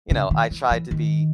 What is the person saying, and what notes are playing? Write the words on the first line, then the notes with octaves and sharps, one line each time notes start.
you know, I tried to be
C#3
D#3
E3
E3
D#3